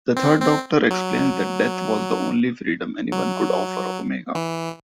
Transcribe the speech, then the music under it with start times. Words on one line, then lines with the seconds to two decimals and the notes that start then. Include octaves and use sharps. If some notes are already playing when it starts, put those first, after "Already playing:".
The Third Doctor explains that death was the only freedom anyone could offer Omega.
0.17 C4
0.42 C4
0.91 F#3
3.12 F#3
4.35 E3